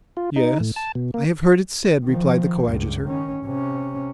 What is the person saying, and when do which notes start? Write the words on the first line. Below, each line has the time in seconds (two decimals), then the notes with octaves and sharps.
"Yes, I have heard it said," replied the coadjutor.
0.17 F4
0.36 D#4
0.60 A2
0.76 A5
0.95 B2
1.14 A#3
2.05 D#3 F3
2.65 C#2 G2
3.07 D#3 C#4
3.44 C3 C#4